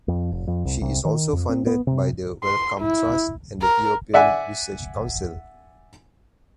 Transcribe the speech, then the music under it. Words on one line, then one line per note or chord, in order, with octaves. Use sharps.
She is also funded by the Wellcome Trust and the European Research Council.
F2
F1
F2
C2
C2
D#3
F2
C4
B3
C3
C6
E4
A#4
D5 E5 F#5 G#5